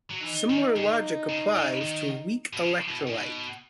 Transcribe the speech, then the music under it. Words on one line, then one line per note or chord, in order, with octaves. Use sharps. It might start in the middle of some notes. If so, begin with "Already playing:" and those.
Similar logic applies to a weak electrolyte.
F#3
E3 D#4
D#3
C#3
C#3
C#3
D#3
B2
C#3 E4
B2
D#4
C#3
B2